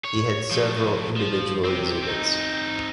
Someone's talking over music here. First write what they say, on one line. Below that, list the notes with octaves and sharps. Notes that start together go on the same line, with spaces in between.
He had several individual exhibits.
C#5
F3 A3
F3
C4 G4
C4 D#4